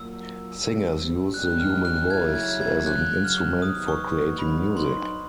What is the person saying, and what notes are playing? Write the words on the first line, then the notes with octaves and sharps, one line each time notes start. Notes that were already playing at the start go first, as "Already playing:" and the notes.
Singers use the human voice as an instrument for creating music.
Already playing: A#2 F#3 A#3 E6
G2 D3 G3 C4
F#2 D#3 G3 A#3 C#4 F#6
F6
F#6
C#3 F#3 A3 C#4 E4 G#6
G#6
G#6
F#2 C#3 F#3 F#6
F6
C3 D#3 F#3 B3 D#4 D#6
C#6
D2 D3 F#3 B3 D#4 B5
C6